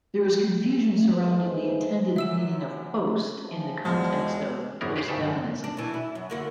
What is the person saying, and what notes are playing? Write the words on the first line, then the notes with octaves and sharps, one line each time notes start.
There is confusion surrounding the intended meaning of "post" in the context of "postfeminism".
G1 G#3 A3 B4 C5
F#2 E5 E6 E7
F#2 E3 F3
E2 G#3 F#4 C5
G#1 F#2 C#3 A#3 B3 A#4
G4 G#4 B4 C5 D5 F5
C2 G2 C#3 A4 E5
F#2
D4
B2 E3
E4
F#2
D3 A#3 F#4